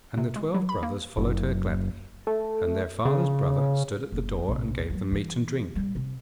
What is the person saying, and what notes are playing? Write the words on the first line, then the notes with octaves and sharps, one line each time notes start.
And the twelve brothers followed her gladly, and their father's brother stood at the door, and gave them meat and drink.
C3
G#3
F#3
B5
A#3
F#1
A3
C#3
F#1
A#1 C3
F3 F#3
D3 E3
A1 G3
C3